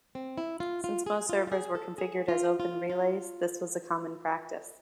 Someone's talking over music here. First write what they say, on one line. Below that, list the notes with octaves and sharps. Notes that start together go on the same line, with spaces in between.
Since most servers were configured as "open relays", this was a common practice.
C4
E4
F4
F4
G#4
F4
F4
G#4
A4
G#4
F4
F4
F4